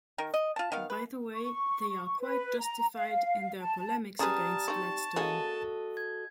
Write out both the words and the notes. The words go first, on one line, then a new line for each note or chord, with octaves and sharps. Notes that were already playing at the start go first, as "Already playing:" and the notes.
By the way, they are quite justified in their polemics against Gladstone.
D#3 A#4
D#5
F4 A5
D#3 B3 F5
B4
C#6
C#6
B4
A#5
F5
A5
G3 C#4 G#4 B4 A5 A#5 D#6 F6
C4 D#4 C#6
G#3 A#3 C#4 F#4 A4 D#5
G#6